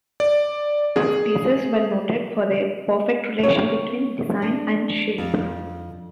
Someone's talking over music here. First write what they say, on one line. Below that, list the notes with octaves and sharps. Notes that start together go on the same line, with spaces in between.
His pieces were noted for their perfect relation between design and shape.
D5
G#4
C#5
D4
F2